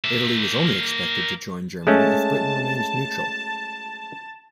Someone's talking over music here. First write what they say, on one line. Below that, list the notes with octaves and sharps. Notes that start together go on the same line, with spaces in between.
Italy was only expected to join Germany if Britain remained neutral.
A#3 E5
G#3 A3 C#4 A5